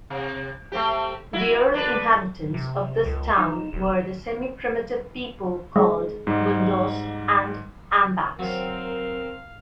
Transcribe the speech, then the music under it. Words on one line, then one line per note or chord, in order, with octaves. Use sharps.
The early inhabitants of this town were the semi-primitive people called "Mundos" and "Ambaks".
C3
A3 C4 G4
E4 F#4
D4 B4
C3
C#2
D#4
E1
G#3
G#2 G3 D#4
F#3 C4 A#4 F5